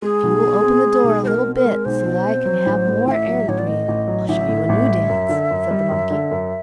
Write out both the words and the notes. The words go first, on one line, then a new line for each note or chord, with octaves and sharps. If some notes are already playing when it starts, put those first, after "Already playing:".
"If you will open the door a little bit so that I can have more air to breathe I'll show you a new dance," said the monkey.
G#3 G#4
B1
B2
C4
G#3
B1
B2 A#4 C5
C4
A#4
G#3
B1 C5
B2
C4
F#3
A1
A2
A1 E5 G#5
F#3
A1 C#5
D5
A2 D#5
A1
F#3
A1 E5
A2
A1
G3
F#2
D3
F#2
G3
F#2
D3
F#2